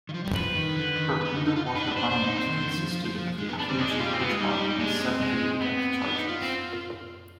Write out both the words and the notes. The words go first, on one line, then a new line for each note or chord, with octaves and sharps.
Her underwater armament consisted of the aforementioned Hedgehog and seventy depth charges.
D#3
F3
G3
F3 B4
D#3
D3
D#3
C4
B3
D#4
D#4
F4
D#4
D4 B4
D#4
D4
D4 C5
D4
D#4
C4 C5
D#3
D3
D#3
F3
F3
F3
F3
G#3
B3
B3 D4
G3 C4
G#3 D4
G#3 D#4
G3 F4
C4
B3 F4
G#3
G3 D#4
D4
D#4
D#4
G#3 D4
C4
G#3
B3
D4
D#4
F4
C4